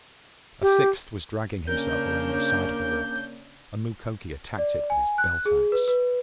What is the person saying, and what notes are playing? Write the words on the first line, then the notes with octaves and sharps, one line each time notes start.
A sixth was dragging himself around the side of the rock, and Mukoki attacked it with his belt-ax.
G4
C#3 A#3 C#4 D4 A#4 G6
D5
G#5
F#6
G#4
B4
B4